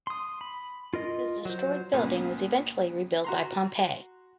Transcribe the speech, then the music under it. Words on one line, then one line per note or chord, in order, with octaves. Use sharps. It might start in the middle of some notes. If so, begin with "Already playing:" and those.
The destroyed building was eventually rebuilt by Pompey.
C6 D#6
B5
F4 A#4 D#5
F#3 C5
C#2 A#2 B3
F#4 A#5 C6